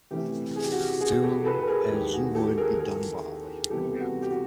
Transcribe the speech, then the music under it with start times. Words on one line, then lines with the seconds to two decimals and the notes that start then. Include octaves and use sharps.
Do as you would be done by.
0.11 C3 E3 A3 C#4 E4 G4
0.56 G#4
0.64 G4
0.72 F#4
0.79 G4
1.01 F#4 G#4
1.22 G4 A4
1.45 A4 B4
1.61 B4
1.67 G#4 A#4
1.90 D#2 D#3 G#3 G4
2.13 F#4 G#4
2.35 G4 A4
2.58 G#4 A#4
2.80 G#4 A#4
3.70 C#2 C3 E3 G3 B3 G4 A4
4.00 F#4
4.22 G4
4.31 F#4